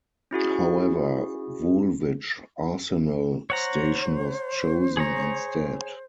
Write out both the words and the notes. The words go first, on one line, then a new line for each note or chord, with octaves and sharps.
However, Woolwich Arsenal station was chosen instead.
C#4 E4 F#4 G#4
C5 C#5 F#5 A#5
G#4 C#5 A#5